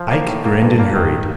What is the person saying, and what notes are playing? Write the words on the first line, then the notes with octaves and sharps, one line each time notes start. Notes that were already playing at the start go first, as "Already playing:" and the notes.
Ike grinned and hurried.
Already playing: F3
A#3
A2
A#3
G2
A#3
D#3